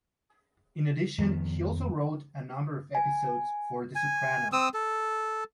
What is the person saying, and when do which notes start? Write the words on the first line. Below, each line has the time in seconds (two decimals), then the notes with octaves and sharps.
In addition, he also wrote a number of episodes for "The Sopranos".
1.18 F2 D#3 F3 B3
2.95 G#5
3.95 G#5
4.53 C4 D#6 E6
4.74 A4